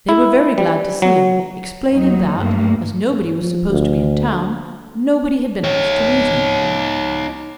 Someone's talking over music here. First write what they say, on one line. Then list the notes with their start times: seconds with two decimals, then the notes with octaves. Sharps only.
They were very glad to see him, explaining that, as nobody was supposed to be in town, nobody had been asked to meet him.
0.09 E4
0.58 G3
1.02 F#3
1.89 D#2 F#3 D#4
2.37 G2 A3 A#3
3.39 F3
3.69 D2
5.64 D#4 C#5